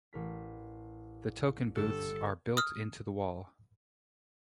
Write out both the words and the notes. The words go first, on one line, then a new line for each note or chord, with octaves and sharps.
The token booths are built into the wall.
A1 A#4 B6
G1 G3 A4
D#6 F6